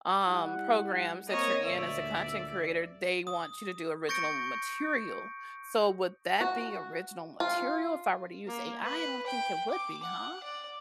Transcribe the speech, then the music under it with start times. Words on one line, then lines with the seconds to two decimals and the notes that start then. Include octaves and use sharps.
um, programs that you're in as a content creator, they want you to do original material, so would that be original material if I were to use AI? I don't think it would be, huh?
0.25 G3 E4 F#5
1.28 A#3 C4 A#4 C#5 D#5
1.65 D2 A#2 D5 E5
3.27 D#6
4.09 C#6 G6 A6 A#6 C#7 D7
6.41 F#4
7.40 F4
8.47 A#3
8.83 B4
9.27 G5
9.70 D6
10.03 F#5
10.43 D5